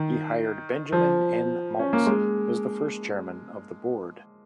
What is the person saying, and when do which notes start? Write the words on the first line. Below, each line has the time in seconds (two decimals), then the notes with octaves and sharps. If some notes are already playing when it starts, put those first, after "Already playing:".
He hired Benjamin N. Maltz as the first Chairman of the Board.
Already playing: D#3
0.92 F3
1.79 C#4
1.93 A#3
2.06 G#3